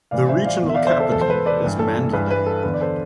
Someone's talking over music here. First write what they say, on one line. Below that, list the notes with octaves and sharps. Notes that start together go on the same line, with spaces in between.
The regional capital is Mandalay.
A2 E3 D5 F5
C5 E5
D5 F5
E2 B2
E5
D5 F5
C5 E5
A4 C5
E2 B2 A4
C5
B4
B4 D5
G2 E3
A4
G2 E3 B4
B4
A4
E2 D3 B4
D5
A4 C5